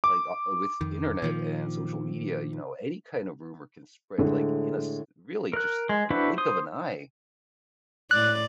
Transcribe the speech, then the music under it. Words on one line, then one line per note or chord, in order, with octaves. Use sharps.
like o with Internet and social media, you know, any kind of rumor can spread, like, in a s really just a blink of an eye.
D6
F2 D#3
A#2 D#3 F3
A2 D3 G#3
A#4 F#6
G#3
D4 E4 F#4 B4 C5
C5 D#6
A2 D5 F#6